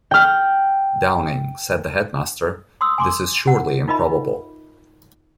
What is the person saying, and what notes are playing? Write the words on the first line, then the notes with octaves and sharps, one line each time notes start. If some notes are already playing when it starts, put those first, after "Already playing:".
Downing," said the headmaster, "this is surely improbable.
G5 F6
C6 D#6 E6
G#5 C6 D6
F#5
D#4 F4 A#4 D#5 E5 B5